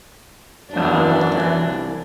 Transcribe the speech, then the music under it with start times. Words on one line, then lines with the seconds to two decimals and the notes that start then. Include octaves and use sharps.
Oh, I love that.
0.70 F#2 D4
1.56 C2